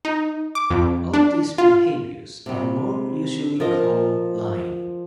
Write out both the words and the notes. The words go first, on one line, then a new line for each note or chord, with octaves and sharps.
All these behaviors are more usually called lying.
D#4
D6
F2
D4
F4
C3 G3
F3 A#4 D#5